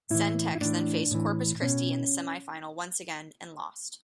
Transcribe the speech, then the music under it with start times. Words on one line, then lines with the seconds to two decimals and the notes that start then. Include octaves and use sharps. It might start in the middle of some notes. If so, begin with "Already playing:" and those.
CenTex then faced Corpus Christi in the semifinal once again, and lost.
0.10 A2 E3 E4
0.55 E4
0.61 A2 E3 D4
1.11 A2 E3
1.62 B2 C#4